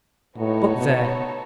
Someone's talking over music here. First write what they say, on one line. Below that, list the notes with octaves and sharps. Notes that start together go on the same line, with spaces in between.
But there!
A2 B3 D#4 F#4 A4 C#5
B2